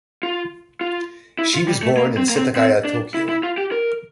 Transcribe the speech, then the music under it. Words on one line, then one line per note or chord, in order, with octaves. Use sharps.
She was born in Setagaya, Tokyo.
F4
F4
E4
F4
G3
A3
A#3
C4
A#3
C4
C4
D4
E4
E4
F4
G4
A#4